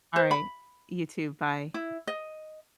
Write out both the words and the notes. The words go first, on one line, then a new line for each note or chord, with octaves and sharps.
Alright, you too, bye.
C5
B5
E4
D#5